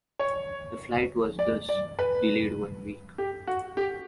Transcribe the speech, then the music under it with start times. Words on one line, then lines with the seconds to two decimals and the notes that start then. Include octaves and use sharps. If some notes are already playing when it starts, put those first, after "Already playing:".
The flight was thus delayed one week.
0.19 C#5
1.39 D5
1.69 D5
1.99 B4
3.18 G4
3.47 F#4
3.77 G4